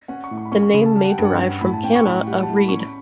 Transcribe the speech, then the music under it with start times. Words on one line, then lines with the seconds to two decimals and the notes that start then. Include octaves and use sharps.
The name may derive from "canna," a reed.
0.08 C#4 F#5
0.24 C#6
0.31 A2
0.38 C#6
0.45 B5
0.52 C#4 C#6
0.63 C#6
0.74 C#3 B5
0.85 A5
0.96 G3 A5
1.04 F#5
1.10 G5
1.18 G2
1.25 F#5
1.39 C#4
1.61 A2 B5
1.73 A5
1.83 C#4 G5
1.95 C#6
2.05 A2 B5
2.27 G3 F#5
2.43 A5
2.49 A2
2.56 B5
2.69 C#4 C#6
2.80 B5